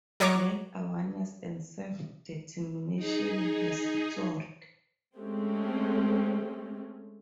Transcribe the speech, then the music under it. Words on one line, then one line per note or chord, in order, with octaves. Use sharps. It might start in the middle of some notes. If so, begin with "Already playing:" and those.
Black awareness and self-determination has soared.
F#3 C#5 A#5 D6
D#4 G#4
G#3 A3 C4 C#4 G4